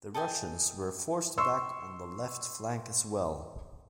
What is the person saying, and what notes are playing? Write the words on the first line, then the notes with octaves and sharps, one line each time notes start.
The Russians were forced back on the left flank as well.
A4 D#5 G5 G#5
C6 C#6 E6